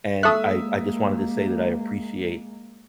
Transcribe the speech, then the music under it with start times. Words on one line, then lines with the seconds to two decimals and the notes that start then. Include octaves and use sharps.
and I I just wanted to say that I appreciate,
0.23 G#3 A#3 A4 E5 C#6 D#6 F#6